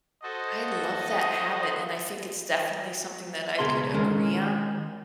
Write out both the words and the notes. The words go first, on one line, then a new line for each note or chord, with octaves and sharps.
I love that habit, and I think it's definitely something that I could agree on,
F#4 A4 C5 D#5
C#2 B2 G#4 A#4 C6
D#3 G#3 C#4 A#4